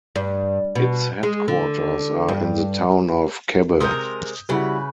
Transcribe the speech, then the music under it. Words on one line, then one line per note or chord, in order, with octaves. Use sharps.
Its headquarters are in the town of Kebbe.
G2
B2
G#3
D3
G2
C3 G#3 A#4 D#6 G6
C#3 G3 E4 F#4 B4